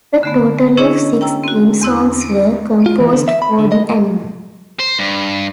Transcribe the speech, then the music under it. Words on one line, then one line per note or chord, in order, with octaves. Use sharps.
A total of six theme songs were composed for the anime.
D3 A3 B3
C#4 D4 E4 G#4 C#5 D#5
G5 A#5 E6
C4 F#4
E2 C4 E4 F#6
F4
E3
D3
E5
B5
D3
D#5
C5
G2